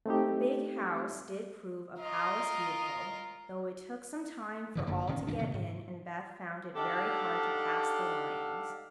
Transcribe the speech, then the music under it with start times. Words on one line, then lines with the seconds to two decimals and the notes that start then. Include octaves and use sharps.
The big house did prove a Palace Beautiful, though it took some time for all to get in, and Beth found it very hard to pass the lions.
0.06 A3 C4 D#4 G4
2.00 F4 A#4 D#5
4.75 G2 C#3 E3
4.87 G1 F#2 D3 A#3
5.07 A1 B2 D#3 C#4
5.27 D2 A2 G#3 D4
5.39 C3 D#3 A#3
5.54 G#2
6.75 D4 D#4 G4 A4 F5 F#5